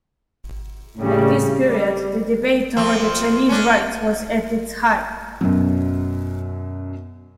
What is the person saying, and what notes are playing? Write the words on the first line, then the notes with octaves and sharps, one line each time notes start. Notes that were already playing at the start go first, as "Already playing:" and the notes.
At this period the debate over the Chinese Rites was at its height.
A2 C#3 G3
G3
F2 F3 C4
C#4 D4
F#2 B2 F#3